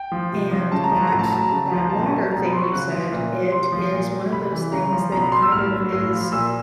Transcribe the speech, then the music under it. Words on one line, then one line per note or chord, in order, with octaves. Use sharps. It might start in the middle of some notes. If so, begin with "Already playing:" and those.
And that that latter thing you said, it is one of those things that kind of is
Already playing: G5
F3
C3
F3
C#3 A5
A#5
F3 A5
A#5
A2
A5
F#3 A#5
A5
C#3 A#5
A5
F3
A#5
A#2 A5
F#3
B2 A#5
B5
F#3 C6
C#6
C#3 F#6
F3
A#2
F3
C3 C6
F3
A#2
F#3
C3 B5
E3
C#3 A#5
F3
B2 A#5
B5
F#3 C6
E6
A2 F6
F#3
A2
F3
A#2 E6